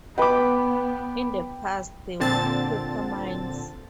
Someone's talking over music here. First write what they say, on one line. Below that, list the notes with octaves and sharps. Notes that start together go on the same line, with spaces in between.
In the past there were copper mines.
B3 B4 G5 B5 D6
A#2 D3 C4 A5 A6